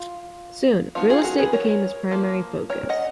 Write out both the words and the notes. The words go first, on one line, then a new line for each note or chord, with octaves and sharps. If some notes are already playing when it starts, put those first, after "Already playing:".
Soon, real-estate became his primary focus.
Already playing: F4
F3 B3 D#4 F4
F4 G#4
F#4 A#4
G#4 B4
A#4 C#5
F3 A#3
A#4 C#5
D#5 F#5